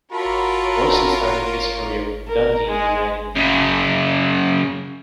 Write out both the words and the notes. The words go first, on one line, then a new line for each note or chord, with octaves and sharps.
Wilson started his career with Dundee United.
F4 F#4 A#4 C#5 E5 A5 B5
A#4
G#3
F#2 C#3